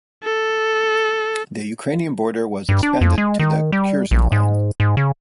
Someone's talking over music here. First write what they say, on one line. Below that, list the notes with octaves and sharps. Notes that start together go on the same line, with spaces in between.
The Ukrainian border was expanded to the Curzon Line.
A4
G2
D4
F2
G#3
D#3
G3
A#1
G#2
G#2
C#3